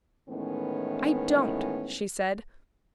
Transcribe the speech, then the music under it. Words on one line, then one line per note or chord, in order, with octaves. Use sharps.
"I don't," she said.
A2 D#3 E3 G#3 B3 C#4